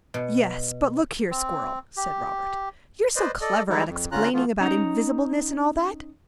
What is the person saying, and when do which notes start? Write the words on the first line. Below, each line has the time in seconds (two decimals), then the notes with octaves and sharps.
'Yes, but look here, Squirrel,' said Robert; 'you're so clever at explaining about invisibleness and all that.
0.14 B2
1.31 C4
1.97 G4
3.16 B4 C5 D5 D#5
3.41 A4 D5 D#5
3.70 E3 G3 G#3 D#4 E4
3.88 F2
4.12 D3 C#4 F4 A#5 F#6
4.34 E3 A3 B3 F4
4.60 C#4 D#4 G5 A#5